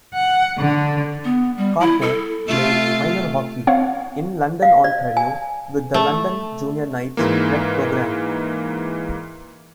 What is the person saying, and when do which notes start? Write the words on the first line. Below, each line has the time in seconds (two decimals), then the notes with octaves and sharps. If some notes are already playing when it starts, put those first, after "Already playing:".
Carter played minor hockey in London, Ontario, with the London Jr. Knights rep program.
0.14 F#5
0.58 D3
1.24 B3
1.57 G3
1.80 E4
2.02 A4
2.47 C3 A3 F4
3.67 C4 C#5 F5 F#5
4.62 F5
4.84 D5
5.17 G#5
5.94 A3
7.17 G#2 E3 A#3